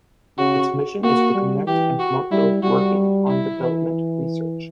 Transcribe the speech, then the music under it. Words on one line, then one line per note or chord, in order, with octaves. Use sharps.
Its mission is to connect and promote those working on development research.
C#3 F#4
A#3 F#4
G3
E3 G4
F#4
G3 E4
G3 F#4
E4
E3